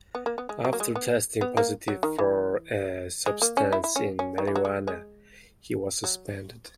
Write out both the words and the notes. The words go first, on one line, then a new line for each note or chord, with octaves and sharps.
After testing positive for a substance in marijuana, he was suspended.
B3
A#3
B3
G#3
F#3
A#3
G#3
B3
B3
A#3
F#3
D#3
E3
G#3
A#3
C#4
E4
E4
C#4
C#4
D#3
E3
F#3
G#3
G#3
F#3